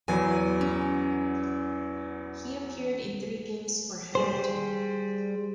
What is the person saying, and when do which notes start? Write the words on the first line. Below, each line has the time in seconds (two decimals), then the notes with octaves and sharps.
He appeared in three games for Hamilton.
0.08 E2 E3 F#3 G#5
0.61 C#4
4.15 G3 G#4 C5